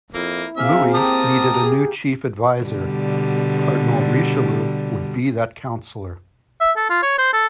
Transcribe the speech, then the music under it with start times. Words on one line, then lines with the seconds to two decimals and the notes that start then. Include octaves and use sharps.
Louis needed a new chief advisor; Cardinal Richelieu would be that counsellor.
0.14 F2 A#3 E4
0.57 A#3 C4 G#4 E5 F5
0.94 G4 A#4 A5 D#6
1.63 G#4
2.62 B2 D3 G3
6.61 E5
6.77 A4
6.90 F4
7.03 C#5
7.19 C5
7.33 A4